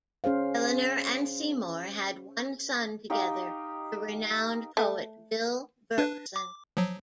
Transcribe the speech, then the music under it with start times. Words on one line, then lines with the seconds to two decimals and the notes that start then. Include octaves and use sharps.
Eleanor and Seymour had one son together, the renowned poet Bill Berkson.
0.24 C#4 G#4 C5 F5
3.10 D#4 G4 F5 C#6
4.77 A3
5.98 D4 B4
6.36 D6
6.77 F3 F#3